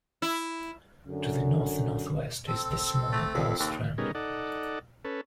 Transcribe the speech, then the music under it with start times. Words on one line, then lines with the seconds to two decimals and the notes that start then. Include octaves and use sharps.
To the north-northwest is the smaller Gullstrand.
0.22 E4
1.07 F#2 D3
2.47 C4 A4
3.12 A3
3.34 F2
3.59 D#2
3.98 G3 B3 C#4 D#4 G#4 A#4
4.15 D#4 A4 D5 F#5
5.05 C#4 A4 B4